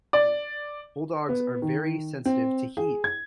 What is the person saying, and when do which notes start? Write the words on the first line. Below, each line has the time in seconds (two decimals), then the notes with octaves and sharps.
Bulldogs are very sensitive to heat.
0.13 D5
1.29 B3
1.62 D#3
2.26 C4
2.77 G#4
3.04 G#6